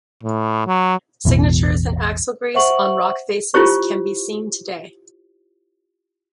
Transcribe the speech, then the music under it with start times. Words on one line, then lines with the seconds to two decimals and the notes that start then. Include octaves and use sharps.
Signatures in axle grease on rock faces can be seen today.
0.23 A2
0.67 F#3
1.25 A1 E2 B2 E3
2.54 C5 E5 F#5 C#6 F#7
3.54 E4 F4 G4 C5 C#5 C#6